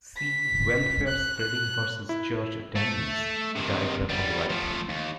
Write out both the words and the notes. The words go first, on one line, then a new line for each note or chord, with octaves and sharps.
See "Welfare spending versus Church attendance" diagram on the right.
B6
F#6
E4
A3
C3 D#3
G3 B3
F3 A3
D#2